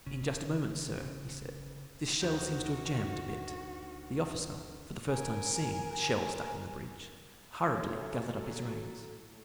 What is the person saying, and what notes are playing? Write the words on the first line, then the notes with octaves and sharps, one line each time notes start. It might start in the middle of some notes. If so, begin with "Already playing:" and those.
"In just a moment, sir," he said; "this shell seems to have jammed a bit." The officer, for the first time seeing the shell stuck in the breech, hurriedly gathered up his reins.
G1 C#3
D2 D#4 F#4 G6
A#4 G#5
A2 F#3 A4 A#4 G#5